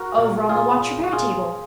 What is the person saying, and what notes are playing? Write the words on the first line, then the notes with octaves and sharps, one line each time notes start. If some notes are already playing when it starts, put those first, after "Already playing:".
"Over on the watch repair table."
Already playing: F#4 A#4
A#2
A#2 F4 G#4
A#2
F#4
A#2 F4 G#4
A#2